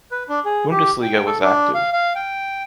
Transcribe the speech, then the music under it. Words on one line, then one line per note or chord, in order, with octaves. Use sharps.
Bundesliga was active.
B4
D4
G#4
G4
G5
A4
D4
F5
F5
G5